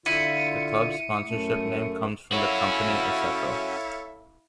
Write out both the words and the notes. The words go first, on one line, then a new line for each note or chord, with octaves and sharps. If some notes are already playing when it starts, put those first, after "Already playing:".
The club's sponsorship name comes from the company Asseco.
D3 E4 F4 C#7 D#7
F#2 A3
C#4 E4 F#4 A4 C#5 E5 F5